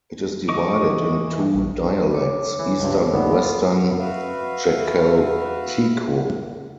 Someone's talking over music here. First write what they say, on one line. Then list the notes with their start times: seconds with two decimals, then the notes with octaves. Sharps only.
It is divided in two dialects, Eastern and Western Jakalteko.
0.49 F3 D#5 C#6 D6
0.92 E3
1.54 A#1
2.11 C#5 D6
2.59 E3
2.80 C#2 G2
3.14 G#1 D2 G2 B3
3.42 F4
3.99 F#4 B4 E5 F5